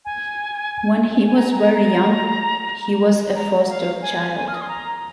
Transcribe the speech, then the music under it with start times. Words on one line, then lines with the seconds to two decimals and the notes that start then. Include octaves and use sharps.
When he was very young, he was a foster child.
0.05 G#5
1.27 G#5
1.36 A#5
1.59 A#5
1.81 A#5
3.35 A#5
3.68 F5
4.01 G#5
4.35 G#5
4.47 F6
4.54 D#6
4.61 C6
4.68 A#5